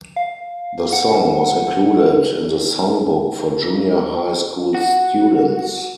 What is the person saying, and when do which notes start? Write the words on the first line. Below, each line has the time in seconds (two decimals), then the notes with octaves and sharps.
The song was included in the songbook for Junior High School students.
0.16 F5
0.93 F#5
4.74 F#4